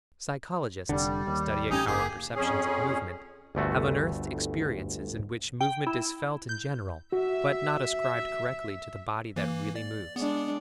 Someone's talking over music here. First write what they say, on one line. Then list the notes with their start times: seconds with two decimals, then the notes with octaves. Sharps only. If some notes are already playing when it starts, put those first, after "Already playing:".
Psychologists, studying our perceptions of movement, have unearthed experiences in which movement is felt in general but not ascribed correctly to the body that really moves.
0.89 F1 D3 G3
1.27 D#2
1.70 A1 C#4 D#4 G4 G#5
1.87 F#1 A#3 G4 G#4
2.36 F2 C#4 G#4
3.55 G1 D2 A3 F#4
5.61 G5
5.87 E4
6.49 G6
7.12 F#4 E5
9.36 E3 A#3
9.76 D5
10.16 G#3 B3 D4